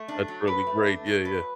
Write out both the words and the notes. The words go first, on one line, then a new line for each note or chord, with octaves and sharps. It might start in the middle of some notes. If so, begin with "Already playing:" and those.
that's really great, yeah, yeah.
Already playing: A3
D4
F#3
B4
A3
D4
F#3
B4